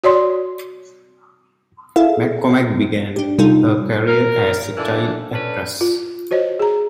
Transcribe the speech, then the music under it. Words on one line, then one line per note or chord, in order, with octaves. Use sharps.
McCormack began her career as a child actress.
F#4 C#5 D5 C6
E4 G#4 A4 E5 F5
D4 G4
C3 G3 D#4 F4 A4
A#4
D3 E3 F3 D4
C#4 D4 A4 B4
F4
F#4 C5 C#5 D#5
G#4 A#5